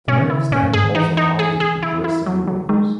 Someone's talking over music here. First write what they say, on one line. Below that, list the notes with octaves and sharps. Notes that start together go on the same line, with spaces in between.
The main stand also houses the dressing rooms.
B2 C#4
D#3
C#3 E4
A#2 C#4
F#2
G#2 G#4
D#3
E3 D#4
D#4
G#4
G#4
E4
E4
F#3
F#3
D#3 G#3